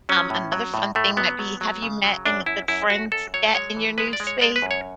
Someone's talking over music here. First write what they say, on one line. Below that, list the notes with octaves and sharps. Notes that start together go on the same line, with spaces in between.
um, another fun thing might be have you met any good friends yet in your new space?
F#3 C#4
A2
F#3
A2
A2 A3
F#3 B3
F#3
F#3
C#3
F#3
F#2 D4
F#2 E4
F#2 E4
F#2 F#4
F#2 A4
F#3 C#5
G#3 C#5
E3
G#3 B4
D5
G#3
C#5
G#3 D5
B4
F#2
C#5